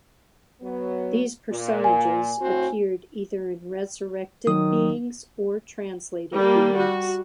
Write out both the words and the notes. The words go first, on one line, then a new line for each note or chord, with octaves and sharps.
These personages appeared either as resurrected beings or as translated beings.
F#3 B3
A#2
G#5
A2 C4 F#4
D#3 F#3 D#6
G3 A#3
F#4